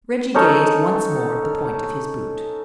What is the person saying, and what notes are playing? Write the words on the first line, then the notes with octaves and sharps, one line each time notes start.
Reggie gazed once more at the point of his boot.
C#4 D#4 A4 C#5